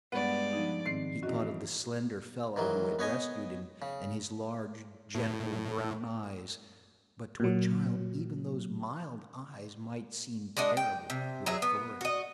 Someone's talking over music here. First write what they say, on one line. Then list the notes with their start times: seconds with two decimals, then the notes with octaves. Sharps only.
He thought of the slender fellow who had rescued him and his large, gentle brown eyes, but to a child even those mild eyes might seem terrible with authority.
0.12 G2 G#3 B3 D5
0.53 F3 D#4
0.86 G#2 D#3 C4 C7
1.23 E2 C#4 F#4 D#5
2.56 G#2 D#3 E3 F#3
2.99 B3 C#5 D#5 G#5
3.82 C#3
5.15 A2
7.40 A#2 F#3
10.57 G#3 D4 F#4 D#5
10.77 G5
11.10 C3
11.46 F#3 G#4 E5
11.62 B3
12.01 F#4 D#5